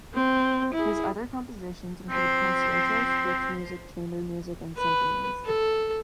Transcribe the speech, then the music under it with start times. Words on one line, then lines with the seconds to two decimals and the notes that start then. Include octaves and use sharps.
His other compositions include concertos, church music, chamber music and symphonies.
0.14 C4
0.74 E4 G#4
2.10 F3 C4 C5
4.77 B4
5.45 A4